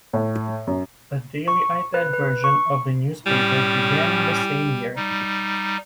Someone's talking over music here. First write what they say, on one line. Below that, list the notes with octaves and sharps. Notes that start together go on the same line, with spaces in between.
A daily iPad version of the newspaper began in the same year.
A2
F#2
C#6
B4
B4
C#6
A2 G3 C#4
G3 D#4